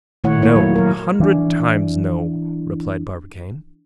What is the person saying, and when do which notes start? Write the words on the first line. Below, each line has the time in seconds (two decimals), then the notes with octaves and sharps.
"No! a hundred times, no!" replied Barbicane.
0.24 A#2 D#3 A3 E4 C#5 F#5
0.42 A#3 E4 C#5
0.56 F#3
0.76 F#3 A#4
1.20 E3 D4